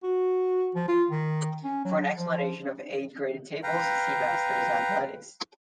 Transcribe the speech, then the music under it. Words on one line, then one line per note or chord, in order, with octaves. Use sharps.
For an explanation of age-graded tables, see masters athletics.
F#4
F3
F4
D#3
C#4
F#3
F3
B4 F5 G5 A#5